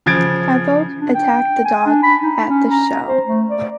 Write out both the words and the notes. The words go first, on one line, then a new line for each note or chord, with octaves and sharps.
Havoc attacked the Dog at the show.
C#3 F3 G#6 A6 D7
D4
G5
G#5
D4
B5
D#4
C#4
A#5
C5
A3
D5